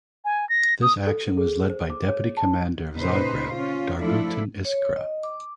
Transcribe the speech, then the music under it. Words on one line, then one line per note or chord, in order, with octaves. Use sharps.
This action was led by deputy commander of "Zagreb" Dragutin Iskra.
G#5
A#6
D#6
A4
G#4
C5
D6
C#5
A5
A#2 C#3 D#4 B4 C5
C#4 F4
F3 A3 D4 E4 F4 A4
C#5
D#5
D6